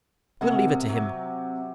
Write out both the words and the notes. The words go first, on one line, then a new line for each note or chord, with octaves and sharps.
We'll leave it to him.
C3 G#3 A#4 F#5
F#3